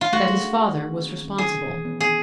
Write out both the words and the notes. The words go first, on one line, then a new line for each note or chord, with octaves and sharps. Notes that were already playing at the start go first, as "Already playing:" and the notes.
That his father was responsible.
F4
A3 F#4
G#4
D4
A3
D#3
C4
A#3
C#4
B3 G#4
B2
E3
B3
D4 G#4